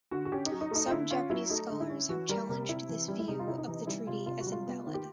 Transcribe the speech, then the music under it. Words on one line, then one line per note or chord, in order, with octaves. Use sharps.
Some Japanese scholars have challenged this view of the treaty as invalid.
D3 F#4
F#4
C#4 G4
D#4
F#3
D#4
A3 D#4
F4
D3 E4
C#4 F4
F#3 E4
A3 D#4
D3
E4
C#4
E3 F#4
G3 A#4
C3 A#4
C3 E4
E3
G3
E4
C3 D#4
F4
C3 E4
D#4
E3
G3 E4
C3 F4
C3 F4
F#4
G3
F4
B3
D#3
G4